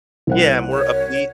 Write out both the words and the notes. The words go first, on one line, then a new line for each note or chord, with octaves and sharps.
Yeah, more upbeat.
C2 C5 F#5
C#5